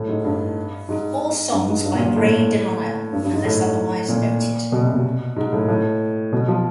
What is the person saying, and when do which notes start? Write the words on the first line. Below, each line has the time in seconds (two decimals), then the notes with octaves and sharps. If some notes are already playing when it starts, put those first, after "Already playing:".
All songs by Grey DeLisle, unless otherwise noted.
Already playing: A2
0.08 G#2
0.25 G2
0.89 G#2
1.52 G2
1.68 G#2
1.85 G2
1.95 A#2
2.06 A#2
2.16 A2
3.12 G2
3.23 G2
3.33 G#2
3.45 A2
4.09 A#2
4.72 B2
4.83 C3
4.94 B2
5.36 G#2
5.52 A2
5.68 A2
6.32 B2
6.48 F3